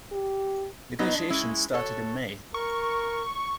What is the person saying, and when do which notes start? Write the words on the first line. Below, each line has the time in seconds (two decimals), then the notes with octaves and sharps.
Negotiations started in May.
0.12 G4
0.99 F#3 B3 D#4 B4 D#5
1.14 G#3 D4
1.30 G#3 C#4 E4
1.73 F#4 A4 C#5
2.54 A#4 C#6